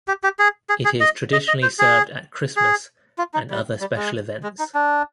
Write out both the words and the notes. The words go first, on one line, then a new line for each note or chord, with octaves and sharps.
It is traditionally served at Christmas and other special events.
G4
G4
G#4
G#4
G#4
D#5
D#5
D#5
C5
G#4
G#4
F4
D#4
G3
G3
G#3
G#3
D#4
D4